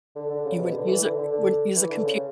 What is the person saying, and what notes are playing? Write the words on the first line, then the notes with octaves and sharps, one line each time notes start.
He wouldn't use it wouldn't use a compu
D3
D3
C#3
B2
D3
E3
D3
D3
D3
E3
D3
C#3